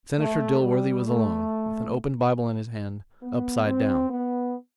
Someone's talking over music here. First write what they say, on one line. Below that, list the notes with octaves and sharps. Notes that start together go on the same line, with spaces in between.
Senator Dilworthy was alone--with an open Bible in his hand, upside down.
A3
G3
A3
B3
C4
B3